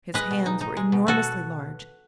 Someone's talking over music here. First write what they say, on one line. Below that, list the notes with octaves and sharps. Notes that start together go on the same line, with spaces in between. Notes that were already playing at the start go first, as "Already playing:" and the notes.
His hands were enormously large.
G#3 B4 D#5
B2
D#4
D#4
G#3
B2
B2 F#4 A4